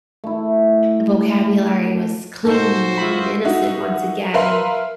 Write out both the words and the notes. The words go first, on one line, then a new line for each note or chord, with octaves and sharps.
the vocabulary was clean, and and innocent once again, and,
A3 E4
A#2 D#4 F#4 A4 C5
G#3 F4 E5 B5
D#4 F#4 E5
A#4 B4 E5 F5 C6